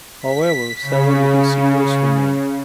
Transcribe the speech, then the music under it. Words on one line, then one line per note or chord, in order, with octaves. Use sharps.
However, several Little Caesars remain.
B6
C#3